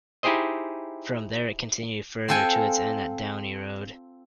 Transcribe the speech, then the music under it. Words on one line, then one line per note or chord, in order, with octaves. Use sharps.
From there, it continued further to its end at Downey Road.
D#4 E4 G4 G#4 C5 D#5
C4 F4 A4 G5 G#5